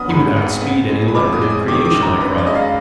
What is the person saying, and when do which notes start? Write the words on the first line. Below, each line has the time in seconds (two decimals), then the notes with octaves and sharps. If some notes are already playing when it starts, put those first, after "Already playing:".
"He would outspeed any leopard in creation!" I cried.
Already playing: F#3 B3 D#6 F6
0.09 G#2 B5
0.37 G#1
0.62 B3
0.88 G#3
1.08 B5
1.15 F2 D6
1.33 D#6
1.42 G#3
1.50 D#6
1.68 D#3 D6
1.85 D6
1.94 F#2
2.02 A#5
2.21 F#2 B4
2.38 D5
2.47 G#3 D#5
2.55 F5